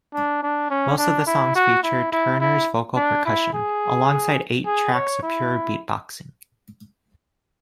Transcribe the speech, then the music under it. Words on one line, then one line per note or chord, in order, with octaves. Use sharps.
Most of the songs featured Turner's vocal percussion, alongside eight tracks of pure beatboxing.
D4
D4
C#4
D4
E4
F#4
E4
E4
E4
D4
E4
G#4
G#4
C#5
E4